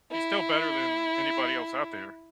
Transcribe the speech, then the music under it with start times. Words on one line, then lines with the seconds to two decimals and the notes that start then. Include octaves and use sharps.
He's still better than anybody else out there,
0.12 E4